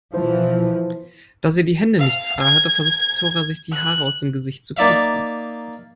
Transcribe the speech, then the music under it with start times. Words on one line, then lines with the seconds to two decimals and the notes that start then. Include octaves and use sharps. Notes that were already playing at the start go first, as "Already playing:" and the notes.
Da sie die Hände nicht frei hatte, versuchte Zora sich die Haare aus dem Gesicht zu pusten.
0.14 B2 E3 F3 E4 C5
1.98 F5
2.40 G#6
3.72 F#6
4.77 A#3 D#4 D5 E5 F5